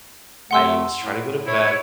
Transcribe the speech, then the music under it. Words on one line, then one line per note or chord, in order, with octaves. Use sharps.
I was trying to go to bed,
C3 A3 F#5 C6 E6
A2
E4 C#5